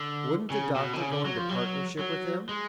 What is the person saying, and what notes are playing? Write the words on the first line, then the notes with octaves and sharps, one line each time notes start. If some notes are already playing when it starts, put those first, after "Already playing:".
Wouldn't the Doctor go into partnership with him?
Already playing: D3
C#3
B2
D3
C#3
D3
F#3
F3
F#3
F#3
G#3